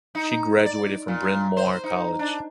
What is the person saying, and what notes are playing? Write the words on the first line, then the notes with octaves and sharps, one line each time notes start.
She graduated from Bryn Mawr College.
D#4
D5
A#2
C5
D#4
D4